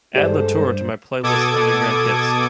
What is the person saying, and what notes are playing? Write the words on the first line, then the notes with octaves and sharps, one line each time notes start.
Add LaTour to my playlist underground hits.
G2 G#3 G4 A4 C5 D5
B2 A4 D6 D#6 G#6